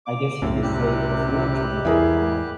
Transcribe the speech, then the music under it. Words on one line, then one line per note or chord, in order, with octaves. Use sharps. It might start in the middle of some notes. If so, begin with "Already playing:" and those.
I guess you could say before internet, um,
D6
C2 F#2 A2
C3 G3 G4 F#6
E2 E4 G#4 A#4